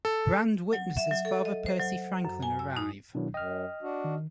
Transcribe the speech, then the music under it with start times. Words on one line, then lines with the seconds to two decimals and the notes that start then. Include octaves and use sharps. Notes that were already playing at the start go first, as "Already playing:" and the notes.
Brand witnesses Father Percy Franklin arrive.
0.05 A4
0.73 F#3
0.97 E5
1.11 F#3
1.25 A4
1.45 D#5
1.66 C5
1.79 F#3
2.25 F#2
2.42 G#5
2.59 E6
2.77 D#4
3.15 B2 D#3 F#3 D4 E4
3.34 F#2 D#5 G5 F6
3.82 D4 F#4
4.04 D#3